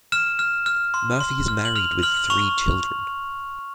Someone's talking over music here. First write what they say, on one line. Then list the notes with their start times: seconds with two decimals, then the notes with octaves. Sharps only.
Murphy is married with three children.
0.12 F6 E7
0.39 F6
0.66 F6
0.94 C6
1.21 C6
1.48 F6
1.65 F#7
1.76 F6 F7
2.03 F6 F#7
2.30 C#6 F7